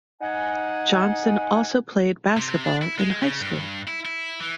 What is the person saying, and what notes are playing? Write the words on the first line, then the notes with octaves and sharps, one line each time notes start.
Johnson also played basketball in high school.
D#4 F#5 G#5
C3
D4
E4
G#3
C#3
G2
E4
E4
E3